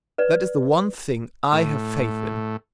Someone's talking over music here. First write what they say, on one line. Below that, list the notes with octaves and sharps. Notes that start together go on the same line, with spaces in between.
That is the one thing I have faith in!
B4 D5
A2